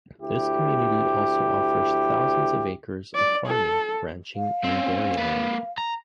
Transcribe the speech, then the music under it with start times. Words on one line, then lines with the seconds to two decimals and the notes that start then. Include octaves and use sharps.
This community also offers thousands of acres of farming, ranching, and dairy land.
0.22 D2 E4 G4
3.15 D5
3.47 A4
4.36 F5
4.64 C4 C#4
5.18 A#3 B4
5.78 A#5